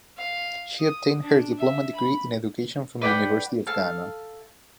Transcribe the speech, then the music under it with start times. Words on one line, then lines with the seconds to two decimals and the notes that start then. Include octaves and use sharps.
She obtained her Diploma degree in Education from University of Ghana.
0.17 F5
0.80 D#6
1.21 D4
1.58 E5
1.95 B5
3.02 B4 D5 F#5 G5
3.67 A4 F5 A5